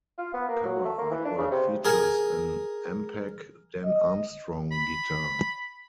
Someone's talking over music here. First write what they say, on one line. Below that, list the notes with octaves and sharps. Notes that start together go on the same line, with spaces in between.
The cover artwork features an Ampeg Dan Armstrong guitar.
F4
B3
A#3
F#3
A3
A#3
E3
D4
C#3
C3
G#4 A#4 G#5
D#5
B5